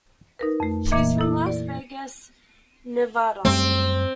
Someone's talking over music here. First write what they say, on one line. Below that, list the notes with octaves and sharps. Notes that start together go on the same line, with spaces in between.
She is from Las Vegas, Nevada.
D#4 A#4 B4
F2 A3
A#2 E3 A#3 D#5 E5 G#6
E4 A4
D5
F#2 G3 A3 C4